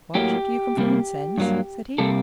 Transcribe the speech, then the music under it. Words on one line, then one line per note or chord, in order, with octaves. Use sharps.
"What, do you come from Vincennes?" said he.
A2 F#3 A#3 G4
C3 G3 A#3
G2 F#3 A#3
C3 G3 A#3 A4